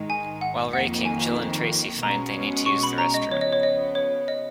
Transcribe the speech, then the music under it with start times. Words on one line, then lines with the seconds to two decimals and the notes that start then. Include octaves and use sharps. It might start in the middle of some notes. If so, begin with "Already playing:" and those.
While raking, Jill and Tracy find they need to use the restroom.
Already playing: G#2 D#3 G#3 D#4
0.10 G#5
0.41 F#5
0.73 F2 D#3 A#3 F#5
1.05 G#5
2.03 B2 G#3 C#4 A#5
2.66 C#6
2.83 B5
2.98 A#5
3.14 D#5
3.31 C#3 F3 B3 C#5
3.41 D#5
3.53 C#5
3.63 D#5
3.95 C#5
4.28 D#5